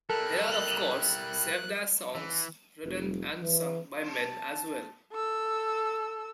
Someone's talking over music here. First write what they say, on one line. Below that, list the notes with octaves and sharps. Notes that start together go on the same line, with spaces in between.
There are of course, Sevdah songs written and sung by men as well.
G3 E4 A4 A#4 F#6
E3
F1
E3
A5
A4 E6